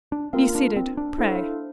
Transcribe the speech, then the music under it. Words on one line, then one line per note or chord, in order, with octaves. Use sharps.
Be seated, pray.'
D4
A#3 C4 F4 A#4 F5
D4
C4
D4
E4 A4 C5 F5